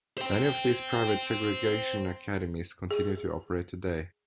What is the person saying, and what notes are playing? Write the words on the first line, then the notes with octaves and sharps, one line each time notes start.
Many of these private "segregation academies" continue to operate today.
C5 G5
G#4